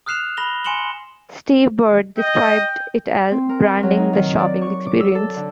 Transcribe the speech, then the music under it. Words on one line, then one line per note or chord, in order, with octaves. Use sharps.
Steve Burd described it as "branding the shopping experience".
D#6 F6 F#6 C7 E7 F7
B5 A#6 F7 G7
G#5 C6 C#7 E7 F#7 G7
D#5 G5
C4
A#4
A#4
F#3
D#4
D#3
D5
C#6
D6
E6
A4
D3